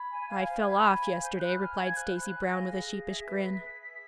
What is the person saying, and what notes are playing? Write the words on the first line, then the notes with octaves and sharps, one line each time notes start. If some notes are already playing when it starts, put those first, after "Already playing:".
"I fell off yesterday," replied Stacy Brown with a sheepish grin.
Already playing: B5 G#6
G#5
F5
C5
B5
G#5
F5
C5 G6
B5 F#6
G#5 F6
F5 G#6
C5 F#6
B5
F#6
G#5
A#6
F5
G#4 A#6
G#4
E5
B4
A#6
G#4 B6
G#4
E5 B6